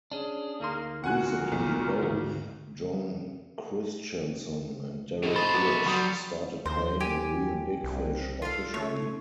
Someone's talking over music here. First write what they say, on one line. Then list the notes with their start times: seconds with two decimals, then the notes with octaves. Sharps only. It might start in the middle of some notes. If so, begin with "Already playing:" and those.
Recently both John Christianson and Derek Gibbs started playing in Reel Big Fish officially.
0.12 C#4 D4 G#4
0.60 D2 A#3 D#4 C6
1.04 A#2 F#4 F#5 G#5 F#6
1.52 B1 F#4
2.03 D2 G#2
5.23 B1 A2 D#4 G#4
5.36 A3 C5 D#5 B5 A6
5.54 F#3 B3 D6
5.86 F#3 G3 F#4 C6 D#6
6.66 D#2 C5
7.00 G4 G#5
7.84 C2
8.42 F4 A4 F5
8.74 A3 C#5